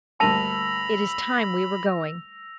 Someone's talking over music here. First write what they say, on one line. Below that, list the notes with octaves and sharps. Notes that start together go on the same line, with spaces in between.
"It is time we were going."
D2 G2 A#3 A5 B5 E6 A#6 F7